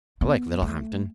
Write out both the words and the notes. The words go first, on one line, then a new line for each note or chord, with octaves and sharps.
I like Littlehampton.
B3
A3